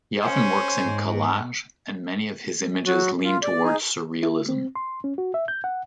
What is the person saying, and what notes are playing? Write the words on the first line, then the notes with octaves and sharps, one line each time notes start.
He often works in collage, and many of his images lean toward surrealism.
C#4 C5 C#5 G#5
G#2
F#3 F#4
F4
D5
D#4 G#4
E4
C4
C6
C#4
F#4
E5
G6
F#5